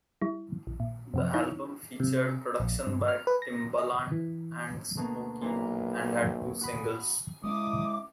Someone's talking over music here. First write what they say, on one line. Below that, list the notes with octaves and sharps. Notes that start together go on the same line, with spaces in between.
The album featured production by Timbaland and Smokey and had two singles.
G3 E4
A#1
A#2
F#2 C3 F3
D#4 E4 C#5
C3
A#1
G2
F6
B4
A#6
D#5
E3
D2 B2 A#3
B1 A#2 E3 A#5
F#4 B5 D#6
G#3 B3 C#4 E4 D#5 E5 D6 D#6